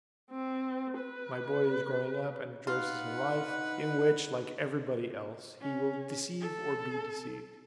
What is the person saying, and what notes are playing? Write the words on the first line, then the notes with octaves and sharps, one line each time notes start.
My boy is growing up and rejoices in life, in which like everybody else he will deceive or be deceived.
C4
B4
D#4 F4 B4 F#5
C#4
A4